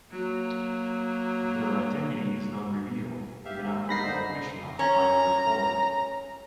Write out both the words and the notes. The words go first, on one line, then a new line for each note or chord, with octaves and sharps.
Their identity is not revealed, even after the completion of the final report.
F#3 A#3
G4 E5 F5
D#2
A#3 B3 D#4 B5 A#6 C7
D3 D#4 C5
C#4 A#5